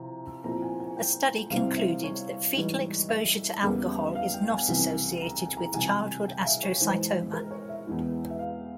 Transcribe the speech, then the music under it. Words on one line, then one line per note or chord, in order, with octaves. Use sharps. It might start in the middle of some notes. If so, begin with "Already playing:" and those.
A study concluded that foetal exposure to alcohol is not associated with childhood astrocytoma.
Already playing: C3 F3 C4 E4 A#5
A#2 F3 C4 E4 A#5
G#5
G#5
G5
C3 G3 C4 E4 F5
E5
C#5
G#2 E3 G3
E5
E2 C#3 G3 A#3
F5
G5
G#5
C2 C3 E3 G#5
A#5
G#5
A#5
C3 E3 G3 G#5
G5
F5
E5
C#5
G#2 E3 G#3 C5
A#4
C#5
E5
E2 E3 G#3 E4
E5
F5